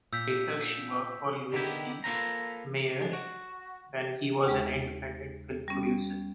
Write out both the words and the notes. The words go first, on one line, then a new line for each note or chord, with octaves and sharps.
Later she worked for Louis B. Mayer when he was an independent film producer.
A#2 E6 G6 B6
D3 D#3 B3 D4 E4 G4
A#3 F4 A4 B4 C5 A#5
F#3 G#3 D4
F#4
D#2 G#3
G3 B3 C#4